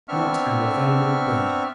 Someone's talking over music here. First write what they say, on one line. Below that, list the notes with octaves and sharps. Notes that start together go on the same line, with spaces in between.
Not an available bed.
B3 C4 D4 E5 C#6 F6